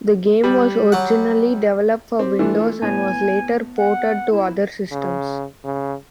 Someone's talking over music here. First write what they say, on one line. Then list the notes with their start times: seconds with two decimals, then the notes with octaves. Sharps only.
The game was originally developed for Windows and was later ported to other systems.
0.44 G3
0.92 F#3 F#5
2.19 C4 G4
2.39 E3 A3 D4 F4
2.82 A2 B3 G#5
3.77 F#5
4.31 E4
4.92 C#3
5.64 C#3